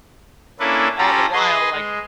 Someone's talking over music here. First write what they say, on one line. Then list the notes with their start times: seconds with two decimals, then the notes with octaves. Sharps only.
eh, all the while, like
0.60 A#3 C#4 D4 E4 A4 B4
0.98 C#4 F4 G4 A4 A#5 B5
1.33 G#4 B4 D#5 C6
1.72 G#3